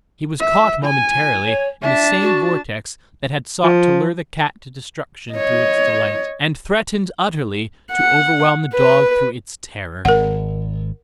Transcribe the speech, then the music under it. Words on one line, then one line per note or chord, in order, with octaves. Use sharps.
He was caught momentarily in the same vortex that had sought to lure the cat to destruction through its delight, and threatened utterly to overwhelm the dog through its terror.
E5
G#5
C#5
D4 E5 A5
F#4
F3
C#5 D#5
F#5
B4
G#1 A#4 F#5